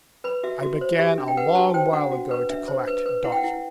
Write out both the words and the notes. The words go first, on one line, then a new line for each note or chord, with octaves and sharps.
I began a long while ago to collect documents.
B4 B5
F#4 E5
F#4
C5
G4 E5
D4
G5
B4 F#5
F#4 A5
C5 G5
D4 F#5
F#4
B4
D4 E5
C5
B4
B4
E4 F#5
G5
F#5
E4